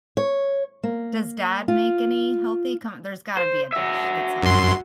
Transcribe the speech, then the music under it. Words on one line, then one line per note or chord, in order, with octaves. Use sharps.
Does dad make any healthy kin there's gotta be a dish that's healthy.
C#5
A#3
F4
C5
F#4 E5
F#2 C6